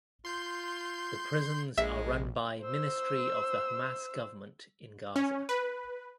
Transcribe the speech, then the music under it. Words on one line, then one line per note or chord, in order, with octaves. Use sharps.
The prisons are run by Ministry of the Hamas government in Gaza.
F4 C6 G6
A#1 G#3 E5
C5 E6
C#4
B4